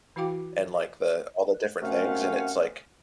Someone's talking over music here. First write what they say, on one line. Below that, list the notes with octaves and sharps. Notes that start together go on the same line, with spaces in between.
and, like, the all the different things and it's like,
E3 E4 F#4 F5 G5 D6
F#2 C3 A3 C#4 F5 F#5